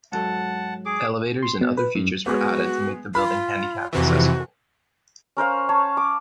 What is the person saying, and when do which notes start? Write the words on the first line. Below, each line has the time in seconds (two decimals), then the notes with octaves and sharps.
Elevators and other features were added to make the building handicapped accessible.
0.12 G#2 F#3 A4 F#5 A5
0.86 G#4 D6
1.43 C6
1.61 B2
1.77 B4
1.95 F#2
2.26 G#3 B3 F#4
3.15 F4 B5
3.93 F2 C3 E3 F#4
5.37 C#4 A#4 C5 F5
5.69 C#5 A5
5.97 D6